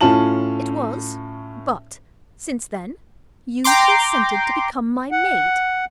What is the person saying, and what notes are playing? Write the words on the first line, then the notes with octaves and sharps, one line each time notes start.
"It was; but, since then, you consented to become my maid."
A2 C#4 F4 A5 F#7
G5 A#5 C6 D6
F#5